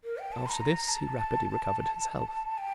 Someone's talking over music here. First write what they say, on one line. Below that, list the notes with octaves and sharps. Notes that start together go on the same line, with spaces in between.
After this he rapidly recovered his health.
A#4
G5
A5
C6
A#5
A5
G5